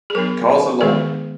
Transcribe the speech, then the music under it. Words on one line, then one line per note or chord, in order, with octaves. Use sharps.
Cars are long.
G#4
F#3 B3 D4 A#4
D#3 G#3 B3 D4 G#4